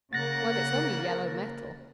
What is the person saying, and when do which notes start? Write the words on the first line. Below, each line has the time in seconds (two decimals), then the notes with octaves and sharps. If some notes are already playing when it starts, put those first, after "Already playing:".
Well, it's only yellow metal.
0.13 C#3 A#3 A#4 F#5 A6 A#6